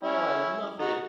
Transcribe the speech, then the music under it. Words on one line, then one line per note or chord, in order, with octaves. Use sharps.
Oh, I love it.
C#4 E4
D#4 F#4